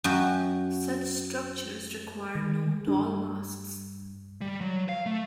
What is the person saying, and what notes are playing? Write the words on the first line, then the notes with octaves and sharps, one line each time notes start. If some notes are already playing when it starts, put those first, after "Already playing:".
Such structures require no tall masts.
F#2 F#4 G5
D#3
G2
G3
F#3
F5
A3